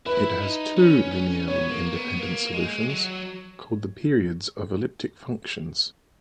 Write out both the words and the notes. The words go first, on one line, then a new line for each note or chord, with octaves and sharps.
It has two linearly independent solutions, called the periods of elliptic functions.
E4 B4
D#4
C#4
C#4
B3 C#5
A#3
B3
A#3
G#3
F#3